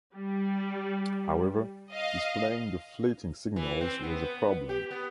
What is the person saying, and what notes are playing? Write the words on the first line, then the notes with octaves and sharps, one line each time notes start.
However, displaying the fleeting signals was a problem.
G3
D#5 F5
E3
C4
B3
B3
G4
B3